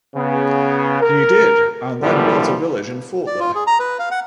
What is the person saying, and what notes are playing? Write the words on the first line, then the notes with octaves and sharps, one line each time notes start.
He did and then built a village and a fort there.
C#3 B3
A#4
F#2 A#2 D3 E3 F3 G3
D5
F4
G#4
A#5
B4
F5
F#5